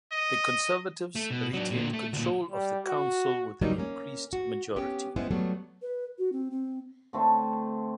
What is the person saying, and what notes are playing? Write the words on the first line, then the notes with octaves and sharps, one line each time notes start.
The Conservatives retained control of the council with an increased majority.
D#5
A3
B2
F#3 D4
A#2 D3
A3
D2 A#2
G3
F#4
E2 C#3 F#3 G3 A#3 D#4
A#3 C#4
F#4
B3 C#4 G4
G#3 B3 C#4 E4 C5
F#3 G3 A3 B3
B4
F#4
C4
C4
D3 A3 C4 A5